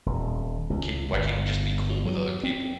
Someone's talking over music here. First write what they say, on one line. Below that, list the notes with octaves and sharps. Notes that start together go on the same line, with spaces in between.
Ca why can't you just be cool with other people?
D#1
C#2
G1
F#3
C4